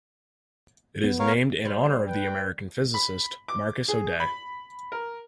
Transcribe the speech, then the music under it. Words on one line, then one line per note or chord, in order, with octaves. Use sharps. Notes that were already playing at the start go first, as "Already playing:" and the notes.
It is named in honour of the American physicist Marcus O'Day.
B3
A#4 C#5 F5
G3 C5
B4 G5
B5
D6
G#4
B5
A#4